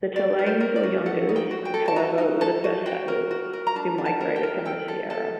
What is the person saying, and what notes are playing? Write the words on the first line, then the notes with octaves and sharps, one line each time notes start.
The Tallanes or Yungas, however, were the first settlers, who migrated from the Sierra.
F#4 D5
A#4
C5
A#4
D5
F#4
A4 F#5
D#4
G5
F#4
G5
A4
A5
F#4 A#5
D#4
A4 A5
F#4
F#4 G5
A#4
F#4
A#4
A#5
D4 A5
D4
A5
A#4
G5
A#4
A4 G5
A4
A4 A5